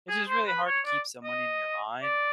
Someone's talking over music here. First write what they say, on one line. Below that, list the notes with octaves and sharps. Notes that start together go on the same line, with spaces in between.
It's just really hard to keep someone in your mind.
G#4
C5
B4
C#5
D5
D#5
D5